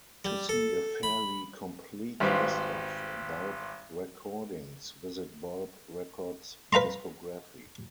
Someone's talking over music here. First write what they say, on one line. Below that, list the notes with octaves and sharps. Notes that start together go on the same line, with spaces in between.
To see a fairly complete list of Bulb recordings, visit Bulb Records discography.
G3
A4
B5
G#1 G3 B4 C5 F5
B4 F5 A#5 C6